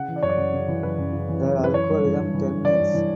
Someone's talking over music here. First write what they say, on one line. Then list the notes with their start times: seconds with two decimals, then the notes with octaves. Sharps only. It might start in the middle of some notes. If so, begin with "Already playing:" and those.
The algorithm terminates.
Already playing: C#3 F#5
0.08 E3
0.16 D5
0.23 F#2 C#5
0.29 D5
0.38 F#2
0.54 C#3
0.68 E3
0.83 F#2 B4
0.98 F#2
1.13 C#3
1.29 E3
1.43 F#2
1.59 F#2 B4
1.73 E3 C#5
1.89 G2
2.04 E3
2.19 G2
2.34 E3
2.49 G2
2.64 E3 D5
2.79 G2
2.94 E3